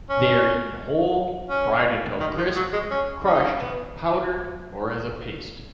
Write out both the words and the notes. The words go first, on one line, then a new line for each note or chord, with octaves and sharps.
They are eaten whole, fried until crisp, crushed, powdered or as a paste.
C#4
C#4
D#3
F3
F#3
G#3
C#4
C#4
D#4
C#4
B3